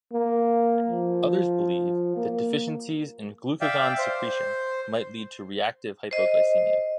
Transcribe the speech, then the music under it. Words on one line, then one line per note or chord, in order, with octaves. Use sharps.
Others believe deficiencies in glucagon secretion might lead to reactive hypoglycemia.
A#3
F3
A#3
D5 E5 F5 G5
C5
C5 D#5